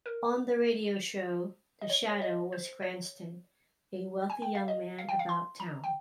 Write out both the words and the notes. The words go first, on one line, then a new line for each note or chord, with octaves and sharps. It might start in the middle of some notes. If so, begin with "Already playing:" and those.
On the radio show, The Shadow was Cranston, a wealthy young man about town.
A#4
D#5
C#5
C#5
D#5
C5
C#5
G#5
G5
F5
D#5
F5
G5
F5
C6
A#5
G5